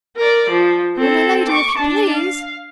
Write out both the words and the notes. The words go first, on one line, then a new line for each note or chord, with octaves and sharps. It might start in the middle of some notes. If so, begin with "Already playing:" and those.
"Oh, my lady! if you please!"
A#4 D5
F3
C4 A4
C#6 D6
D4 A5
F5